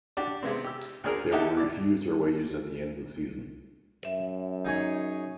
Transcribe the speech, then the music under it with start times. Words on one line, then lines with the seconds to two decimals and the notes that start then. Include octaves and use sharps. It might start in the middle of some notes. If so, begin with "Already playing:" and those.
They were refused their wages at the end of the season.
0.17 D4 F#4 G4 D5
0.43 C3 G#3 B3 C4
0.64 G4 E6
1.04 D2 D4 G#4 A#4
1.32 D#4 E4 G4 A4 E5 F#5
1.57 D5 D6
4.05 F#2 E5
4.65 D#4 G#4 C#5